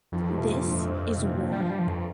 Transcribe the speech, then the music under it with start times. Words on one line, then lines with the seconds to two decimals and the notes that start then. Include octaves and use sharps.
This is war!
0.12 F2 D#3
0.21 F3
0.29 D#3 G3
0.38 C3 F3
0.46 A#2 D#3
0.64 G2
0.82 G2
1.17 G2 C3
1.28 A#2 D#3
1.40 A#2 D#3
1.52 G2 G3
1.61 F3
1.70 G3
1.79 F3
1.87 F2